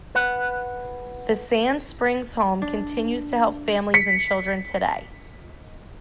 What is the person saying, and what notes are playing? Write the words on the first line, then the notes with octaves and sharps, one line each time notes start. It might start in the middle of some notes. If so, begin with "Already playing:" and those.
The Sand Springs Home continues to help families and children today.
B4 F#5
D4
B6 C#7